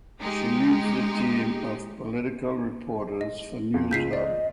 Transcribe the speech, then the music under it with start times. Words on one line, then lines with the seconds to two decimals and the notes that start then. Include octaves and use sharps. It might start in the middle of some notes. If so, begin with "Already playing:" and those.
She leads the team of political reporters for "Newshub".
0.20 G#3 D#4 G4
3.21 D#5
3.74 F2
3.91 C#2 F4 G6 B6 C7
4.13 D5 D#5